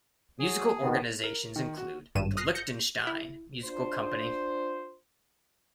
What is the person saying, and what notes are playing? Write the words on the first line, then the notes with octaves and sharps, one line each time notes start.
Musical organizations include the Liechtenstein Musical Company.
F#3 G#4
B2 D#3 B3
A#4
D#3
F#4
G#1 G2 D#7 E7
D#6 F6 F#6 A#6 C7
G6 A#6 C#7
E4
D4 F4 C5